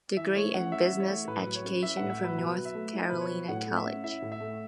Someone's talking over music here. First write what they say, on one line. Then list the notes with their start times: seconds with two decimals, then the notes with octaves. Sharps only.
Degree in Business Education from North Carolina College.
0.17 E3 E5
0.36 A3 C#5
0.54 C#4 F#5
0.72 E4 E5
0.90 E3
1.00 C#5
1.09 A3
1.27 A2 B4
1.46 F#3
1.55 C#5
1.65 C#4
1.83 E4 E5
1.97 F#5
2.01 A2
2.10 E5
2.19 F#3 B4
2.38 B2 B4
2.56 F#3
2.65 E5
2.75 A3
2.93 E4
3.10 B2 B4
3.21 C#5
3.30 F#3
3.48 A2 F#5
3.67 A3
3.77 E5
3.86 C#4
4.04 E4 E5
4.22 A2
4.32 E5
4.40 A3